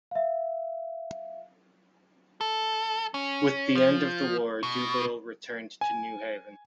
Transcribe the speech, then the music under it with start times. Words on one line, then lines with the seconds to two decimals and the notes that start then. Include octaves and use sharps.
With the end of the war Doolittle returned to New Haven.
0.11 E5 F5
2.41 A4
3.14 C#4
3.75 F3
4.63 B2
5.81 G#5